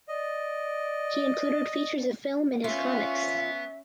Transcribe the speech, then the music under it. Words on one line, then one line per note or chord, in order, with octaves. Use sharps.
He included features of film in his comics.
D5 D#5
B3 C#4 F4 C#5 E5